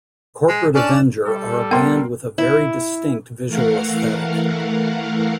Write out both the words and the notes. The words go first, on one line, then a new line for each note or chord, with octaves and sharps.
Corporate Avenger are a band with a very distinct visual aesthetic.
G#3
C#4 D4 D5 E7
G3 A4
B3 A#4 G5 C6
E4
E3 A3 A#4 F5 F#5